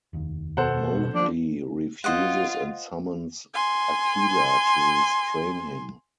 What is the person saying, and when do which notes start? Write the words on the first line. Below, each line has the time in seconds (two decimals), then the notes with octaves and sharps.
Mowgli refuses, and summons Akela to restrain him.
0.13 F1 D#2
0.57 B2 A4 C5 F#5
1.14 F3 D4
2.04 F4 C5 D#5 F#5
3.54 G#5 C6